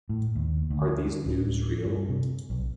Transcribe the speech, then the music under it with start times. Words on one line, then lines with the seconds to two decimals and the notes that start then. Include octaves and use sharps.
Are these news real?
0.09 A2
0.35 D#2
0.70 D2
1.26 D1
1.85 G2
2.09 C3
2.50 B1